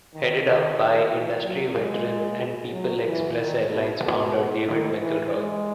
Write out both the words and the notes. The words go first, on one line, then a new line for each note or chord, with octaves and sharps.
Headed up by industry veteran and People Express Airlines founder David McElroy.
D#3
D#3
D#3
E3
F#3
G#3
F#3
E3
D#3
B2
B2
D#3
E3
G#3